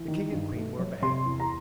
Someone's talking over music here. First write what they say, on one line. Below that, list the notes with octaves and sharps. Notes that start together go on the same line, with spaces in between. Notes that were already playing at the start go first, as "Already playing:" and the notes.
The king and queen were beheaded.
Already playing: E3
D#3
G2
A3
F#3
C3 C6
E2
A#5